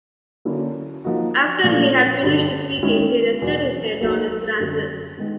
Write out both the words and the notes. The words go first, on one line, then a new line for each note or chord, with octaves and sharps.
After he had finished speaking, he rested his head on his grandson.
D3 F#3 A#3 C#4 E4
F3 A#3 D#4 F#4
A#2 F3 A3
G2 D3 G3
D#3 G#3 C#4 E4
E2 B2 F#3
F#3 A#3 D#4 G#4
F#2 D3 G3
D#3 G#3 B3